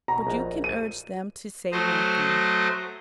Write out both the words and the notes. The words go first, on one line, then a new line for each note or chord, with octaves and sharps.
'But you can urge them to say nothing.
B2 A#5
A#1 D#5
D#7
F#3 A3 C5 D#5